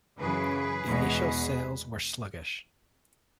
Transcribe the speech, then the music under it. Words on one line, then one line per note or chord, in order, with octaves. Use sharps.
Initial sales were sluggish.
F#2 C#3 E3 G#4 B4
E2 B2 G#3